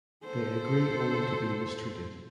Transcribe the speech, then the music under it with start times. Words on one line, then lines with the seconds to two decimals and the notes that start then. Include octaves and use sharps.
They agree only to be mistreated.
0.24 A4 C5